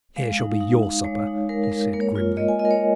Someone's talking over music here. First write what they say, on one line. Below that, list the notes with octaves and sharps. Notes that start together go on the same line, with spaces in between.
"Here shall be your supper," he said, grimly.
G#3 F5
D#4
D#4 F5
D#4
G#3 C#5
D#4
G#3 A#4
A#4
G#3
A#3 A#4
C#5
A#4
F4
A#3 D#5
G#5
F4 D#5
A#4
C#5